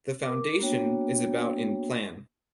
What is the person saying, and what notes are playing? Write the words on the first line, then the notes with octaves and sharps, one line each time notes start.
The foundation is about in plan.
A#4 D6
A#3 B3 D4 F#4 C#5 G5